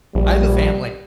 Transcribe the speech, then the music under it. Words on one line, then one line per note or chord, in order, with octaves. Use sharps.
I have a family.
A#1 G3